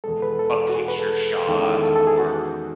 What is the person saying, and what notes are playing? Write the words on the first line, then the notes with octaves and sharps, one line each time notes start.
a picture shot or,
E2 B2 G#3 A4
B4
A4
F#4
G#4
B4
A4
E2 D#3 G#3 C#4 E4 A4
A4
A4
G#4
F#4